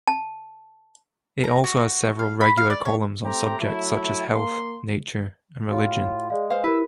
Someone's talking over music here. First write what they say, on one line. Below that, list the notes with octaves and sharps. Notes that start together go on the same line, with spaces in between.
It also has several regular columns on subjects such as health, nature, and religion.
A5
A#5
F#4
F#4
F5
B5
F5
D5
C#5
A3 C4 G4 A#5
F#3 A3 E4
A#3 C6
A2 F4 F#4 C#5
G#3 G#4 D5 F5
B4 C5 F5
E4 G4 A#4 B4 E6